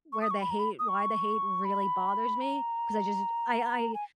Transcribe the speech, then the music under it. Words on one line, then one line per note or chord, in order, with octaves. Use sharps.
where the hate why the hate really bothers me 'cause I just I I
C#6
D#6
C#6
B5
A#5
B5
D#6
C#6
B5
A#5
G#5